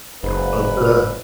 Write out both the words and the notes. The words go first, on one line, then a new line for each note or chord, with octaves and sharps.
But the
F#1 G#2 B4